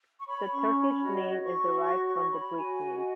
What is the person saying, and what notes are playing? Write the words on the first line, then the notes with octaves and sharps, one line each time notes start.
The Turkish name is derived from the Greek name.
C#6
C#5 B5
C#4 C#6
C#5 B5
F#4 D#5
F#4
C#6
F#4
C#5 C#6
C#5 C#6
C#5 B5
F#4 G#5
F#4
D#5